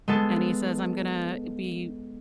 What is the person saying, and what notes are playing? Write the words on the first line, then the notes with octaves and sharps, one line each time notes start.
and he says, "I'm gonna be
G#3 B3 A4